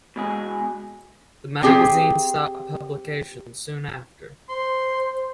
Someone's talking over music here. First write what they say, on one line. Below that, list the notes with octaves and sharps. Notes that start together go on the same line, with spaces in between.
The magazine stopped publication soon after.
B2 G#3 G#4
C4 G4 G#4
C5 C6